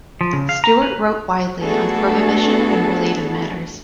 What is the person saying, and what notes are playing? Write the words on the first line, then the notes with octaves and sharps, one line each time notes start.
Stewart wrote widely on prohibition and related matters.
F3
C#3
F5
A#5
B4
A3 B3 D4 F#4 G#4 A4